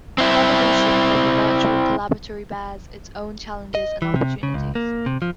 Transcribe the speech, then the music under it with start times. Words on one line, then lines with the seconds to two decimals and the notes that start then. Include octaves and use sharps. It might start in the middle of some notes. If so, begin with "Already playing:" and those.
The evolution from the virtual collaboratory bears its own challenges and opportunities.
0.18 C4 E4
3.75 D#5
4.02 E3
4.16 C3
4.43 C#3
4.54 C#2
4.75 A#3
5.06 C3
5.22 F3